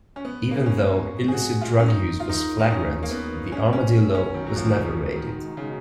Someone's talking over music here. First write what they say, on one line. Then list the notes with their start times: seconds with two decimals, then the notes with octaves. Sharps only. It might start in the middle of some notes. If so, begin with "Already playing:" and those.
Even though illicit drug use was flagrant, the Armadillo was never raided.
0.16 C#4
0.25 A#1 G#2 F3 G#3 B3
0.51 A#3
0.58 B3
0.66 C#4
1.28 G#4
1.33 F#4
1.61 F4
1.80 C#4
1.88 D#2 D#3 G#3 D#4
2.20 F4
2.29 D#4
2.60 D#4
2.70 C#4
3.03 A#3
3.11 B3
3.52 B1 B2 G#3 C#4
3.73 C#4
4.15 C#4
4.34 D#3
4.47 F#3
4.56 F3
4.66 D#3
4.76 C#3
5.16 B2 D#3 G#3 D#4 F#4
5.57 C#3